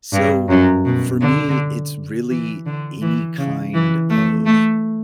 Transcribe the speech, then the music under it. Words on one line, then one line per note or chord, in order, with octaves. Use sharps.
So, for me it's really any kind of
G2
F#2
B2
D3
E3
D3
E3
C#3
E3
A3
A3